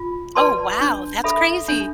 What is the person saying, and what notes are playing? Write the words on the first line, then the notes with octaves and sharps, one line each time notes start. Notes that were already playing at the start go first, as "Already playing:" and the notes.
Oh, wow, that's crazy.
Already playing: F4
B4 D5 A5 C6
D4
A4 E5 B5
D4